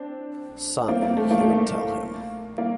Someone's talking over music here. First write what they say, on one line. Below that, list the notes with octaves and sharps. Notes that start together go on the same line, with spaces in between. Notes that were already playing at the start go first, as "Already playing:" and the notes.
"Son," he would tell him.
Already playing: C4 D4
A#3 C4
A#3
A3
A#3
A3
A#3
A#3